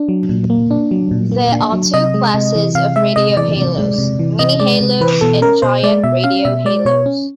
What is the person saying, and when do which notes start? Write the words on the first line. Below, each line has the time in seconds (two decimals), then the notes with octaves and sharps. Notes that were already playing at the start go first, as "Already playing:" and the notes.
There are two classes of radio halos: mini-halos and giant radio halos.
Already playing: D4
0.09 F#3
0.29 A#2
0.50 A#3
0.71 D4
0.91 F#3
1.11 A#2
1.32 A#3
1.52 D4
1.72 F#3
1.94 C3 D#5
2.14 G#3
2.34 C3
2.55 E3
2.75 C3 F5
2.96 G#3 E5
3.16 C3 D#5
3.37 E3 D5
3.57 C3
3.79 G#3
3.98 C3
4.19 E3
4.39 C3 D#5
4.60 G#3 D5
4.81 C3
5.01 E3 B4
5.21 B2 A4
5.42 C#4 A#4
5.62 B2 C5
5.83 G#3 D5
6.04 B2 E5
6.24 C#4 F5
6.45 B2 E5
6.65 G#3 D5
6.85 B2 C#5
7.06 C#4